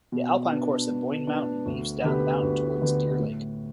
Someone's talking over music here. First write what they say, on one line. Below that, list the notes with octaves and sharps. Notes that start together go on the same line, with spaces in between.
The Alpine course at Boyne Mountain weaves down the mountain towards Deer Lake.
B2
B3 D4
B2
B3 D4
D2
D3 B3 G4 B4
D2
D3 B3 G4 B4
A2